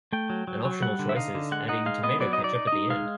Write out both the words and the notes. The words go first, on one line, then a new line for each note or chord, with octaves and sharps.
An optional choice is adding tomato ketchup at the end.
A3 G5
F#3
F#3
F#3
G3 F#5
D3
E5
D#4 F5
D3
G#3 F#5
D#4 F#5
G#3 F5
B3 D#5
F#3 D5
D#4 D#5
D5
D#4
D#5
D#4
G#3 F5